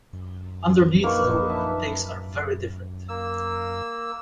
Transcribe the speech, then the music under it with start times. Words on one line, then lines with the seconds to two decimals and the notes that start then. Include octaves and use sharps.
Underneath, though, things are very different.
1.04 A#1 A#3 D#4 B4 C#6
1.49 E5 A5
3.09 A#3 E6